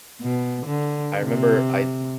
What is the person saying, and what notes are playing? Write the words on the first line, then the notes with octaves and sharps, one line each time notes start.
I remember I
B2
D3
C3